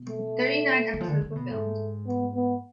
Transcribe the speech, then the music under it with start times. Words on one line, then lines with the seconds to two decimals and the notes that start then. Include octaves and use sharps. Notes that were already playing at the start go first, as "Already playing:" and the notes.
Thirty-nine episodes were filmed.
Already playing: B2
0.09 A3
0.93 D3
1.00 F3
1.08 D3
1.22 D3
1.35 B2
1.50 G#2 A3
2.07 B3
2.35 B3